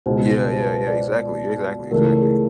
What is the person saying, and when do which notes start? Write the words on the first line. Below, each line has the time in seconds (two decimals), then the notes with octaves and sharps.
Yeah, yeah, yeah, exactly, exactly, exactly.
0.06 C#2 B2 G#3 C5
0.52 C5
0.64 B4
0.87 D5
1.91 C#2 C#3 E3 A3 A#4
2.22 G#4